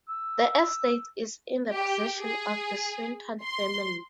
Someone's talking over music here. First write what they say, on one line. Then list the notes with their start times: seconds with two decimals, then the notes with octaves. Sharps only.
The estate is in the possession of the Swinton Family.
0.09 E6
1.71 G4
2.20 G#4
3.44 C6